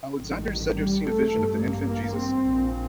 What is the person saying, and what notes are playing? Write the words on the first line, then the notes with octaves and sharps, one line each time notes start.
Alexander is said to have seen a vision of the infant Jesus.
A1 G2 D#3
G3
A3
A1 G2
A#3
A#3
C4
A#1 A#2